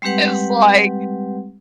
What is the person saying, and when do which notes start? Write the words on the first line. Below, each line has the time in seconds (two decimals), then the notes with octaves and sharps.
it's like
0.02 G3 G#3 C4 G4 B4 F#5